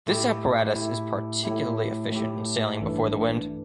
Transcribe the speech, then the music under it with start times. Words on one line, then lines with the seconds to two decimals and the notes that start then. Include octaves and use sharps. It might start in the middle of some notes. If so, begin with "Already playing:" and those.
This apparatus is particularly efficient in sailing before the wind.
0.07 A2 A3 E4 G4
0.75 A2 A3 E4 G4
1.43 A2 A3 E4 G4
2.12 A2 A3 E4 G4
2.81 A1 G2 E3 A3 D4